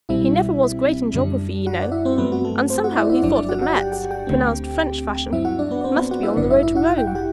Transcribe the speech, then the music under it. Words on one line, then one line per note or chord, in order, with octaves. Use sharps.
He never was great in geography, you know; and somehow he thought that Metz, pronounced French fashion, must be on the road to Rome.
C2 B2 G3 C4 E4 E5
F#2 D3 G3 D4
F#4 F#5
D5
E4 E5
C4 C5
G2 F#3 A3 B3 C4 B4
F#4
A3 A4
C4 C5
F#4 F#5
E4 E5
D5
E4 E5
G1 G2 F#3 D4 D5
D4 D5
F#4 F#5
F#4 F#5
G4 G5
G4 G5
G4 G5
D2 D3 A3 C4
G2 F#3 C4 E4 E5
F#4 F#5
D4 D5
B3 B4
D5
C4 C5
B3 B4
F#4 F#5
E4 E5
A1 G2 D3 D4 D5
E4 E5
E4 E5
F#4 F#5
G5
F#5
G4 G5